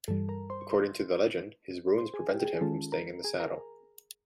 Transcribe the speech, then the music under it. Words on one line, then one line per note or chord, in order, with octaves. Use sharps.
According to the legend, his wounds prevented him from staying in the saddle.
G2 E3 G3 A4 A5
A#4 A#5
C5 C6
C#6
C5 C6
C5 C6
G#4 G#5
G4 G5
G5
G#4 G#5
G#5
D#3 G#3 C#4 F4 A4 A5
A#4 A#5
G#4 G#5
A#4 A#5